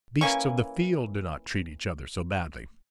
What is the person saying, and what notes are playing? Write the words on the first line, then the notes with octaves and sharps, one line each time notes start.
The beasts of the field do not treat each other so badly.
E3 A#3 C#4 C#6